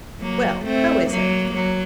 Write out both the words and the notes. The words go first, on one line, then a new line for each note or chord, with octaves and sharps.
'Well, how is everything?'
F#3 A#3
A3 C4
F#3 A#3
F#3